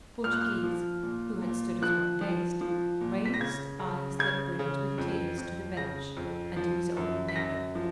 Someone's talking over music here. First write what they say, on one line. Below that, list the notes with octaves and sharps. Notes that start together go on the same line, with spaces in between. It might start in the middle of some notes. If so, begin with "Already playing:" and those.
Portoghese, who had stood as one dazed, raised eyes that brimmed with tears to the bench and to his old neighbor.
A#2 F6
F#6
F6
F3
A#2
A#2
F3 F#6
F3
F3
A#2
B6
A#6
C#3 G#6
C#3
C#3 G#6
C#3
F2
F2
C#3 A#6
F2
F3
F#2
B6
F#2 A#6
F3